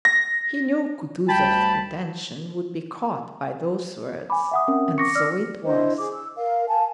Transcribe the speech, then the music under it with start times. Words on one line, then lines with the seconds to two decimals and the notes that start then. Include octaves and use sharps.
He knew Kutuzov's attention would be caught by those words, and so it was.
0.05 A#6
1.29 D2 G3 G5 A5 B5
4.30 G#5 B5 D6
4.51 E5 F#5 D#6
4.68 C4 C#4 A#4
4.98 C#6 D6 A#6 C#7
5.15 D5 E6 F6
5.64 D4 E4 C5 D#5
5.98 G#4 D6
6.13 E6
6.37 A#4 F5
6.69 F5 G#5 A5